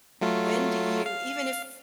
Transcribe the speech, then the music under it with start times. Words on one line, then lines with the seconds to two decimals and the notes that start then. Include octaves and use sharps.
When do you even if
0.21 F#3 A3 F4
1.06 F5